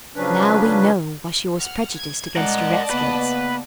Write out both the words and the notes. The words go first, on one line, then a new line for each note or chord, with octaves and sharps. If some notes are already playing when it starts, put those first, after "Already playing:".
Now we know why she was prejudiced against the redskins.
C#3 F3 F#3 C#4 D4 B4
F#5 F6
G#6
G#3 A#4 D5 D#5 F#5 A5
C#3 A#3 B3 B4